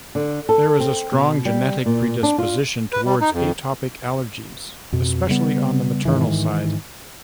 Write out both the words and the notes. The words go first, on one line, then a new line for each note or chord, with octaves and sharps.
There is a strong genetic predisposition toward atopic allergies, especially on the maternal side.
D3
A4
C4
B2
G3
A#2
D4
F4
B4
G3
D#4
F2
F2 B2
C#3 G3 A3 B3
G#2 D#3 E3